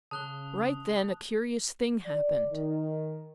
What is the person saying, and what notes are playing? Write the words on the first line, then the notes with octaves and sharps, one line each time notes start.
Right then a curious thing happened.
C#3 A5 D#6 F#6 G7
D5
D#3